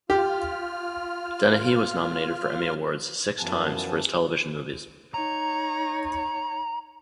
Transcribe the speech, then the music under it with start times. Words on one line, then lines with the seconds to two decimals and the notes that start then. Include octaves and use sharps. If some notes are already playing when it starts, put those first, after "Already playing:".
Dennehy was nominated for Emmy Awards six times for his television movies.
0.10 F4 G4 F6
3.39 F#2 E3 F3 B3 G#5 A5
5.14 D#4 C#5 A#5